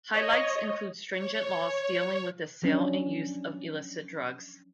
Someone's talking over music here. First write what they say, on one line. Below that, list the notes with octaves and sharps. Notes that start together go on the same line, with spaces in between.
Highlights include stringent laws dealing with the sale and use of illicit drugs.
C#5 D#5
C#5
F3 F#3 C#4 D4